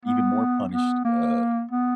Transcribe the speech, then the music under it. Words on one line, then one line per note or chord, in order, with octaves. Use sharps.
even more punished, uh,
B3
B3
A#3
B3